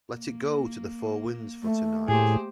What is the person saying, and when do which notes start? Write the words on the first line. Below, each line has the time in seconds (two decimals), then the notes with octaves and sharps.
Let it go to the four winds for tonight.
0.13 A#3
1.63 A3
2.08 A2 A#3 G4 G#4 C5